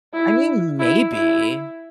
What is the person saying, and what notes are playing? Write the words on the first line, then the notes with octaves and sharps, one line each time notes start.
I mean, maybe.
E4
E4
E4